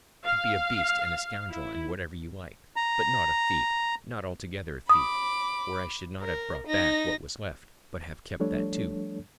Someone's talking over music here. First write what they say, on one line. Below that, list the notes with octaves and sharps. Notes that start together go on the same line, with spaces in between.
I should be a beast and a scoundrel, and whatever you like; but not a thief, not altogether a thief, or I should not have brought back what was left, but have kept that, too.
F5
E4
A#5
B5 D6 D#6
A#4
D#4 A#6
F3 G3 A3 D4 A4 C#5